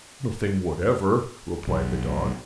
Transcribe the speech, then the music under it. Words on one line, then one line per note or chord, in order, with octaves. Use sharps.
"Nothing whatever," replied the dog.
B1